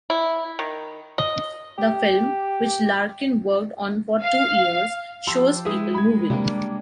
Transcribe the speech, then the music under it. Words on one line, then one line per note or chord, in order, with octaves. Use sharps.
The film, which Larkin worked on for two years, shows people moving.
E4
D#3
D#5
G4
F5
F3 G4 A5 C6 E6
G#3 E4 G#4 B4 D#6
B5 G#6
C3 G3 A#3 D4